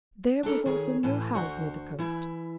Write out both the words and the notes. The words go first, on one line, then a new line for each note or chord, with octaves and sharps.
There was also no house near the coast.
D4 E4 A4 A#4
D#3 G#4 C#5
A2 E3
D2 F#4 C5
E3 E4